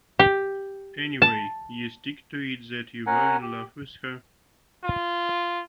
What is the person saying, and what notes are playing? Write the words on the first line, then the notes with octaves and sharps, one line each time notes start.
Anyway, you stick to it that you were in love with her?
G4
A5
C#4 A#4 F#5 G#5
G4
F4